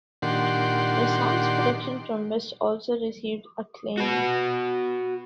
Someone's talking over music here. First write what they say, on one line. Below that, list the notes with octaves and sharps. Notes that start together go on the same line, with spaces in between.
The song's production from West also received acclaim.
A#2 D#3 D4 G4 F#5 C6
F#4 B4